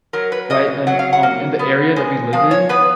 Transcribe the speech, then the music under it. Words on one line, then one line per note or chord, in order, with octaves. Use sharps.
right, and, um, in the area that we live in,
F#3 A#4
B4
C#3 D#5
F#3 F#5
F5
F#5
A#3
B3
G#3
F3 F5
C#5
B3 B4